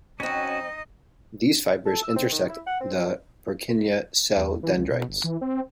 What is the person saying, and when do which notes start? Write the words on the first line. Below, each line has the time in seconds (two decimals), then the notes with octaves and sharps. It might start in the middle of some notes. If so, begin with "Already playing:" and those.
These fibers intersect the Purkinje cell dendrites.
0.20 F2 C4 C#4 D#4 F#4 D#5
1.85 A4
2.02 E6
2.15 C4
2.31 D#3
2.48 E4
2.67 F#5
2.81 C4
2.96 F2
4.37 E2
4.63 E3
4.76 C#2
4.90 B2
5.09 G1
5.24 E3
5.41 C4